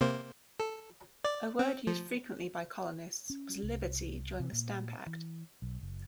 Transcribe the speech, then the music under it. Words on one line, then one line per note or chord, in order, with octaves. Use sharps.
A word used frequently by colonists was "liberty" during the Stamp Act.
C3 A#3 C5
A4
D5
C4
F3
C#4
C2
C3
A#2
E3
B1
F#1